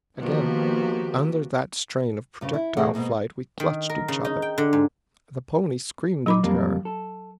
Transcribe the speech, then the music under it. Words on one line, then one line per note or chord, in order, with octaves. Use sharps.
Again under that strain of projectile flight we clutched each other; the pony screamed in terror.
D#3 F3 A#3 B3 F#4 G4
G2 C#3
E4
A2 E3 G#4 A4 F#5 G5
G#2 B2 A#3
D#3
A#4
C#3
D#4
G5
D3
G#2
F#3 D#4 B5 D6
F2 G3 A#3
A4